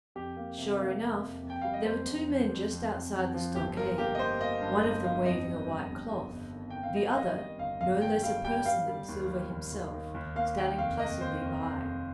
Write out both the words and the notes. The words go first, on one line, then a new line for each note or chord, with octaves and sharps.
SURE enough, there were two men just outside the stockade, one of them waving a white cloth, the other, no less a person than Silver himself, standing placidly by.
F2 G4
A#3
C3
A#3
F2
F2
F2
G5
G3 F5
D#5
F2 C5
F2
F2
F2
F2
F2
F2
F3
G1 G4
F3 A#4
A#3 G4
D#5
A#3 C5
A#3 D#5
G2
G1 D#5
G2 F5
F2 D#5
G3
G3
G1
G3
G1
D#3
D#3 G5
F5
G3 D#5
F5
D#3 D#5
G3 D#5
G1 F5
G1 F5
D#3 G5
G3 F5
G3 G5
G3 F5
G3
D#2
G3
D#2
D#2
D#3
D#2
A#3 F5
D#3 G5
F1 F5
F2 D#5
A#3 C5
F2
F1
F2